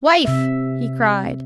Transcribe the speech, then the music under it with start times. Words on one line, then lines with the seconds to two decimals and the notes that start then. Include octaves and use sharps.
"Wife!" he cried.
0.25 C3 E5